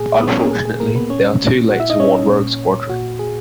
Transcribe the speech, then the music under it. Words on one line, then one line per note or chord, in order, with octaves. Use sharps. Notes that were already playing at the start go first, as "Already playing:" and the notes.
Unfortunately, they are too late to warn Rogue Squadron.
Already playing: A#2 G#4
B3 B4
C#4 C#5
A#3 A#4
A#2 G#4
G#4
A#3 A#4
B3 B4
A#2 C#4 C#5
A#2 F#4 F#5
E4 E5
D#4 D#5
C#4 C#5
A#2
A#2 F#4
G#4